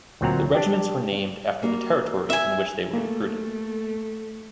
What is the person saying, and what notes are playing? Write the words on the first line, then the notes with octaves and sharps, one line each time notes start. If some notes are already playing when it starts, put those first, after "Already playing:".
The regiments were named after the territory in which they were recruited.
D2 A#2 F#3 C4 F#5 A#5
D4 G4
G3 A#3 F#4
E5 G#5
A3 A#3 A4